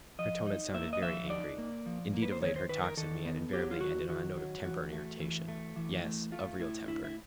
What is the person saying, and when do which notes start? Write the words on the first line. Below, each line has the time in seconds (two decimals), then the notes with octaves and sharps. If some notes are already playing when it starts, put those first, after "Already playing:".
Her tone had sounded very angry. Indeed, of late her talks with me had invariably ended on a note of temper and irritation--yes, of real temper.
0.18 F3 D#5
0.47 D#4
0.74 A#3 E5
0.93 D#5
1.02 F3 E5
1.29 D#4 D5
1.58 A#3
1.86 F3
2.14 A#3
2.22 B4
2.32 C5
2.42 D#3 C#5
2.56 C5
2.69 D#3 B4
2.84 A#4
2.97 D#3 A4
3.25 B3
3.53 F#3 G4
3.71 F4
3.81 D#3 F#4
4.09 D#3 F#4
4.37 F#3
4.64 E3 F#4
4.93 A3
5.20 E3
5.48 A3
5.76 E3
6.04 A3
6.32 A3 F4
6.60 A2 E4
6.88 D3 E4
7.04 E4